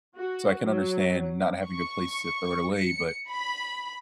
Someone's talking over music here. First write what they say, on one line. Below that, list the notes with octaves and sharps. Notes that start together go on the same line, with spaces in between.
so I can understand not having a place to throw it away, but
F#4
F#3
C#6
C#7
B5